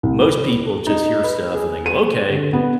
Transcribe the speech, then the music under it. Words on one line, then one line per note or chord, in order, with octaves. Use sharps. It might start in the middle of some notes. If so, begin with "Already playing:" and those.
Most people just hear stuff, and they go, "Okay,"
C2
B4
D#4
B4
G#4
D#7
D3
B3